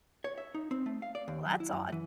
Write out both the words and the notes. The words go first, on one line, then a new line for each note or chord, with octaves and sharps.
Well, that's odd.
C#5
E5
D#4
C4
A3
F5
D5
D#2
F#3
E4
F#2
E3